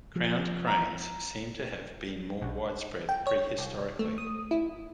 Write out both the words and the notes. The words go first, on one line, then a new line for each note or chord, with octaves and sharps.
Crowned cranes seem to have been more widespread prehistorically.
F3
A#5
B1
G5
C#5
C2
A3
D#6
E4